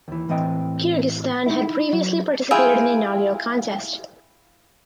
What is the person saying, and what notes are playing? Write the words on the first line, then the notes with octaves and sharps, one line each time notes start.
Kyrgyzstan had previously participated in the inaugural contest.
D#2 E3
A2 E3 C4 D#5 G5
D#4 E4
F#3
E4 F4 G#4 G5